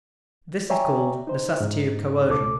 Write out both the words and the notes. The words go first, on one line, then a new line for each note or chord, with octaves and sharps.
This is called "necessity of coercion."
C#5 D5 E5 G5 G#5 A#5
D#4 C5
G#2 D#4
C#2 B2 A4 D6